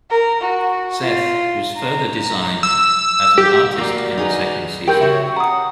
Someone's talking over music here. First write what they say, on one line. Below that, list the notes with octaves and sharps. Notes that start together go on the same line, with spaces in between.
Seth was further designed as an artist in the second season.
A#4
F#4
F4
A#5
E6
G4
A#3 F#4 D5
D#4 G#4 B4
B2 G#3 G4 A#4 G5 B5 G6
C#3 F#4 C#5 E5
F#5 A#5 D#6